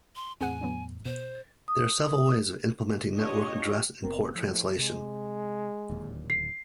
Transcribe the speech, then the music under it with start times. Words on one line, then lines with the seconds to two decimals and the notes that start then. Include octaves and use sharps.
There are several ways of implementing network address and port translation.
0.16 C6
0.41 E2 A2 C4 G#4 F#5 G#5
0.61 D3 F#3 B3
1.05 B2 C5
1.68 D#6
3.17 D4 F4 G4 C#5 D#5
4.04 F#1 B3 C4 A#4
4.35 A2 F3
4.79 C3 G#3
5.90 D1 D#2 A#2
6.30 C7